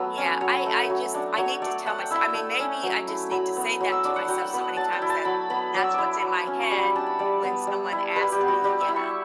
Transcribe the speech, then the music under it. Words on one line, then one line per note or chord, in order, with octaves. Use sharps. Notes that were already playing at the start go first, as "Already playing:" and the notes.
Yeah, I I just I need to tell mysel I mean, maybe I just need to say that to myself so many times that that's what's in my head, when someone asks me Yeah.
Already playing: F#3 B3 A4 B4
C#4
F#3 C#5
A3
F#3
D4
F#3 C#5
A3 D5
A3 F#5
G5
E4 E6
A3
C#4
F#3
E4
F#3 B5
B3
F#3
E6
D4 D6
F#5
F#3 G5
F#5
B3
F#5
F#3 A5
G5
E4
A5
F#3 B5
B3 B5
F#3 D6
E6
E4 D6
F#3
C#4
C#6
G3 D6
G5
D4 A5
B5
G3 D5
B3
G3
E4
G3 B4
G4
B3
F#4
G3 G4
E5
E4
C#6